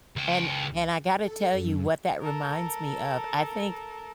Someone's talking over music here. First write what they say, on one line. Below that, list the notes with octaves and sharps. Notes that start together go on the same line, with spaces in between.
And and I gotta tell you, what that reminds me of, I think
C#2 G5
A4
F#2
A4 A#4